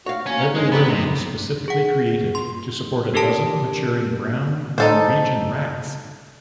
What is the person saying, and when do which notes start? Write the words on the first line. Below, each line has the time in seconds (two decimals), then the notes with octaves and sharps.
Every room was specifically created to support a dozen matured brown Norwegian rats.
0.06 F#4 C#5 F5
0.26 A#3 C#4
0.55 G#2 G#3
0.72 B3 D4 D#4 G4
0.89 C3
1.68 G#4 F#5
2.35 C6
3.14 D4 G4 A4 A#4 A5 D7
4.78 D#4 A4 C5